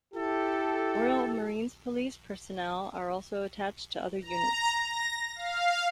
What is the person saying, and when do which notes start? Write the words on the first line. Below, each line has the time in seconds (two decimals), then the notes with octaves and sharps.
Royal Marines Police personnel are also attached to other units.
0.15 E4 G4 A4
4.22 A#5
4.75 A#6
5.35 F5